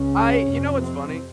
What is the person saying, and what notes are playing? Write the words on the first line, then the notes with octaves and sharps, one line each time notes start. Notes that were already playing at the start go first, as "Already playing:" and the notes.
I you know what's funny?
Already playing: C#2 C#3 C#4
F2 C3
C4